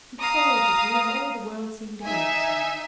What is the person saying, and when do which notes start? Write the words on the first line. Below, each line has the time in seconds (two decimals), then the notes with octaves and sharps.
He quarrelled with you, and all the world seemed against him.
0.18 F5 A#5 D#6
2.03 D#4 E5 G#5